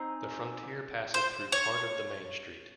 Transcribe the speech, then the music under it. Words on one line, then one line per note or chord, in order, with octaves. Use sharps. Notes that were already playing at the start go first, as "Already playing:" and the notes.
The frontier passes through part of the main street.
Already playing: C4 D#4 G#4
C5
C#5